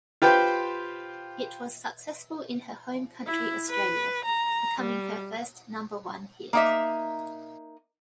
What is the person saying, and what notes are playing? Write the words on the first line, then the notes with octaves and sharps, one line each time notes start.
It was successful in her home country Australia, becoming her first number-one hit.
F4 G4 B4 C5 G5
E4
B4
A#5
G3
A#3 D#4 E5